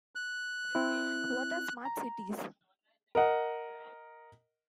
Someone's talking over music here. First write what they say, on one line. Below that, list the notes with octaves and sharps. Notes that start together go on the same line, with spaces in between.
What are Smart Cities?
F#6
C4 E4
A#5
A#4 D#5 F#5